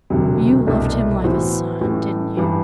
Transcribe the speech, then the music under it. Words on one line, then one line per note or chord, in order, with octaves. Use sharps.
You loved him like a son; didn't you?
E1 D2 C3 F#3
C2 B2 A3 D4
A2 E3 B3 F#4 C5
A1 A2 E3 A3
G2 E3